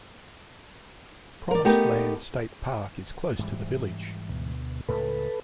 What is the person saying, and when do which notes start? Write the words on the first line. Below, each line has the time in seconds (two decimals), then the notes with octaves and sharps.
Promised Land State Park is close to the village.
1.51 A#4 D5
1.65 A3 B3 D#4 G4 A#4
3.39 G#2 E3 G3
4.29 D2 B2
4.88 C#2 A2 C#3 A4 B4